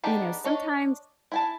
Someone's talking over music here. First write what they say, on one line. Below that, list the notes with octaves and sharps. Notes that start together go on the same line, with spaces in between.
you know, sometimes
B3 D4 D#4 G4 G#4
D4 C#5 D#5
E4 G#5 A5